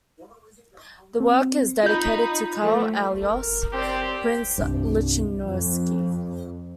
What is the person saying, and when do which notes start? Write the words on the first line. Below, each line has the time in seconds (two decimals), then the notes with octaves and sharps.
The work is dedicated to Karl Alois, Prince Lichnowsky.
1.20 C4
1.83 D#4 F4 B5 G6
2.60 F3 A3
3.21 A#4
3.73 C4 G4 C5 D5
4.58 C2 G2
5.44 F2